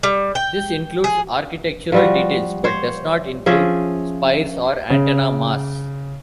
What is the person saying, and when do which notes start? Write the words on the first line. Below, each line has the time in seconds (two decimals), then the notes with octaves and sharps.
This includes architectural details but does not include spires or antenna masts.
0.03 G3
0.35 G5
1.04 G#4
1.92 F3 G3 F#4
2.64 C5 C#5
3.46 F3 C#4 G#4 E5
4.90 C#3